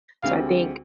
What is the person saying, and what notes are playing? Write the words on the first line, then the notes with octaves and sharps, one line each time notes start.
So, I think
D2 D3 G#3 C4 G4 F5